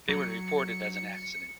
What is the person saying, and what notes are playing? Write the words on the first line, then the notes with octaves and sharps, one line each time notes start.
They would report it as an accident.
F#3 C#7